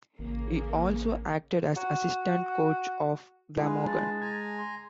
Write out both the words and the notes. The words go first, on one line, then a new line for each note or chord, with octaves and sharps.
He also acted as assistant coach of Glamorgan.
A1 C#3 A#3
F#4
G#3 D4 E4 F4 G#4 B4
A5
G#5 A#5 G#6
C6